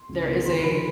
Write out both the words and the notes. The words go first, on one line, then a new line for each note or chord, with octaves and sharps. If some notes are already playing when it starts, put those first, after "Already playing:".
There is a
Already playing: C6
C#2
B2 G#3
D#2 C6
D3 F3 B5